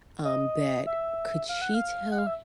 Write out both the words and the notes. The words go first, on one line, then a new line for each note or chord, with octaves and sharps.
um, that could she tell h
D#5
E5
F5
F#5
F5
F#5
F5
E5